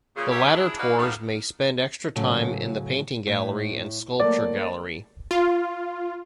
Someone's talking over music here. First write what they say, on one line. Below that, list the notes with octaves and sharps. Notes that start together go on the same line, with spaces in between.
The latter tours may spend extra time in the Painting Gallery and Sculpture Gallery.
A#2 C#3
G3 A#3 G4 C#5 E5
D4 E4 G#4
D#4 E4 F#4 B4 D5 F5
A2 D#3 G3 B3 A4 F5
A2 C#3 F#3
A2
F#3 A3 A#3 D5
F4